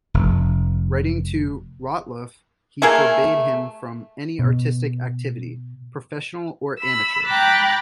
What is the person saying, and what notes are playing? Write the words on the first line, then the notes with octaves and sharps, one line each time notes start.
Writing to Rottluff, he forbade him from any artistic activity "professional or amateur".
F1
A3 A#3 G#4 A#4
B2
B5 E6
G5 A#5 B5 D6 F#6 A6